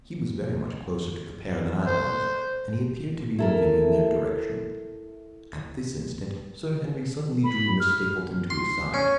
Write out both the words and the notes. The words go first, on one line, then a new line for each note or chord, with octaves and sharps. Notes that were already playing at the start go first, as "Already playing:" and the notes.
He was very much closer to the pair than I was, and he appeared to be moving in their direction. At this instant Sir Henry suddenly drew Miss Stapleton to his side.
C5
E4 A4 A#4
B5
F6
C6
C#4